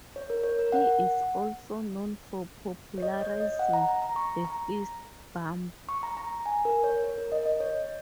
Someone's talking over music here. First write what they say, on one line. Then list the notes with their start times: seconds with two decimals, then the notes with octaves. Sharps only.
He is also known for popularizing the fist bump.
0.16 C#5
0.30 A#4
0.44 C#5
0.59 A#4
0.72 F#5
2.98 C#5
3.02 D#5
3.21 C#5
3.40 D#5
3.59 F#5
3.73 A#5
3.88 A#5
4.02 A#5
4.16 C#6
4.45 A#5
5.89 C#6
6.03 A#5
6.17 A#5
6.46 G#5
6.65 A#4
6.84 C#5
7.04 C#5
7.18 A#4
7.32 D#5
7.46 D#5
7.60 C#5